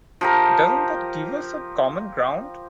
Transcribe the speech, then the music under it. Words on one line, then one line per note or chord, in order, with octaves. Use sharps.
Doesn't that give us some common ground?
F3 G4 A#4